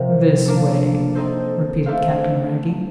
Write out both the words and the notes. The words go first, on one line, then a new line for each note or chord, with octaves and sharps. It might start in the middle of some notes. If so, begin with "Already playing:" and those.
"This way," repeated Captain Wragge.
Already playing: C3 F3 C4 A#4
A#3 D4 A4
C4 D#4 A4 C5
A3 D4 A4 C5 F5